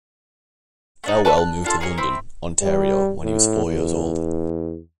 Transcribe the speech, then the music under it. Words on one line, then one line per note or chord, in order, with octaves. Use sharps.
Thelwell moved to London, Ontario when he was four years old.
A3 D4 D#4
B4 A5 C#6 E6
F#6
D4 F4 A4
G#4 A#4 C#5
C4 E4 E6
G3
A2
E2